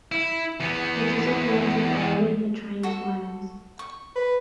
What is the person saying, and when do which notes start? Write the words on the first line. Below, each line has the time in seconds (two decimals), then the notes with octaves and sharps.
It is operated by Arriva Trains Wales.
0.12 E4
0.60 E2 B3
2.83 F#4 A4
3.79 C#6
4.15 B4